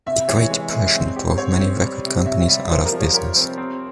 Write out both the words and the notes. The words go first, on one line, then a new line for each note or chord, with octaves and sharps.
The Great Depression drove many record companies out of business.
C3 E5
E3 C#5
G#3
G#3
C4
G4
C4 C#5
C4
G3
C3
C3 E5
G3 E5
E5
F3 C5
A#4
F3
C#5
G4 A#4
C4 C5
C4